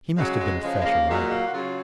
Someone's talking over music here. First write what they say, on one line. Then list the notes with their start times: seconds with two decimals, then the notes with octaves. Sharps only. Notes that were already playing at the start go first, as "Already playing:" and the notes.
He must have been a fresh arrival.
0.16 C#3 F#3 G#3
0.39 G#3
0.62 C#3 F3 G#3
0.79 G#3
0.85 A#3
1.08 A#2 F#3 G#3
1.30 A#3
1.46 F#4
1.52 C#3 F#3 F4